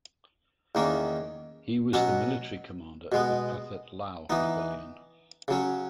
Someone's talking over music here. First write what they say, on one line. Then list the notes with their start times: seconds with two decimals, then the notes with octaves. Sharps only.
He was the military commander of the Pathet Lao rebellion.
0.75 E2 D#3 A#3 C#4
1.93 B2 F#3 C#4 F#4
3.12 B2 G#3 B3
4.30 E3 B3 D#4
5.48 C#3 F#3 C#4